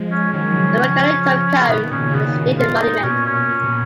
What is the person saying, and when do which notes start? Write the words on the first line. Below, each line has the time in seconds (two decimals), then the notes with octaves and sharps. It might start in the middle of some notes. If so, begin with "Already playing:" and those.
The volcanic tuff cone is a State Monument.
Already playing: F3 G#3
0.12 C#4
0.33 D#3 F#3 C#4
0.56 C#3 F3
1.68 B2 D#3 B3
1.91 A#2 C#3 C#4
2.09 C#3
2.14 B2 B3
2.58 A#2 F4
2.81 D#4
3.03 B2 C#4
3.26 C#4
3.33 B2
3.49 A#2
3.64 B2